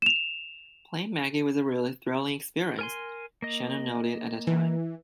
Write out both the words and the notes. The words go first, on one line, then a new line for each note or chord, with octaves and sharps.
"Playing Maggie was a really thrilling experience," Shannon noted at the time.
E7 F7
A#4 G#5 C6
A#3 D#5
E3